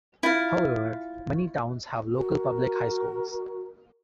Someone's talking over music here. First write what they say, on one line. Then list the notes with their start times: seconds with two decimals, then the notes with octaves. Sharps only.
However, many towns have local public high schools.
0.23 E4 F4 F5
2.16 F#4 A#4